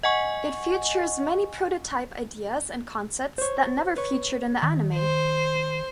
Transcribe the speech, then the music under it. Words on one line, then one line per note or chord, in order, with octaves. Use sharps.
It features many prototype ideas and concepts that never featured in the anime.
D#5 F#5 G#5 C#6
C5 C#5
B4 C#5
D#3
C5